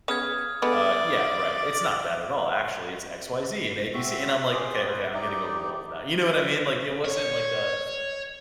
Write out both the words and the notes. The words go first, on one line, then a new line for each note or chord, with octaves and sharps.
Uh, yeah, right, it's not that at all, actually, it's XYZ and ABC, and, I'm like, "Okay, okay. I'm getting overwhelmed now," you know what I mean? Like, it wasn't like a
C#3 B3 D#6 F6 G#6
D3 G#3 B3 D5
C4 F#4 E5
G4 G#4 C6 D6
B4 C5
D#4 G4 D5
C#5